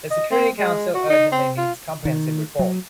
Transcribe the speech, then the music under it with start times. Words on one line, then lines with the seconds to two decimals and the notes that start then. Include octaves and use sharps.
The Security Council urgently needs comprehensive reform.
0.11 D#5
0.32 C4
0.58 G#3
0.95 F#4
1.10 D#4
1.32 C4
1.58 F4
2.05 D#3
2.59 F#3